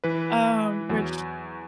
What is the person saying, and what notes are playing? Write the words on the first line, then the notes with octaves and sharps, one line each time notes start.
um, which
E3 B4
E2 F#3